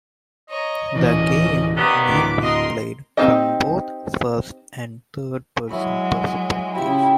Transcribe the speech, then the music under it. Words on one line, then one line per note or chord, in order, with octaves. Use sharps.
The game may be played from both first- and third-person perspectives.
C#5 D#5 A#5
D1 B2 E3 C#4 D5 D#5
D#2 G3 B3 B4 D#6
D2 A2 D6
A#4 D#5 C6
C4 D#4 G4 D#5
F#3 G#3 E4 C#5 B5
C#3 E4 F4 G4